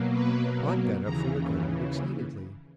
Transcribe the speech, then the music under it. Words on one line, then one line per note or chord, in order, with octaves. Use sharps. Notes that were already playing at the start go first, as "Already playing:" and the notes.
Pod got up from the ground excitedly.
Already playing: B2 F#3 A#3
B4
D#2 C#3 E3 A#5